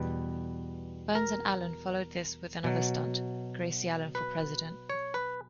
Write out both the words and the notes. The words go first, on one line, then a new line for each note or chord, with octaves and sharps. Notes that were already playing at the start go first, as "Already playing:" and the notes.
Burns and Allen followed this with another stunt: Gracie Allen for President.
Already playing: E2 B2 G3 B4
A#4
B2 F#3
B4
C#5
B4